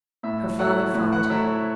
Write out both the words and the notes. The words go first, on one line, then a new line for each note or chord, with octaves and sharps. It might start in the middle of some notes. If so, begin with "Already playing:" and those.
Her father followed her.
A2 E5
F#3 A3 E4 F#5
A2
F#5
F#3 A3 E4 E5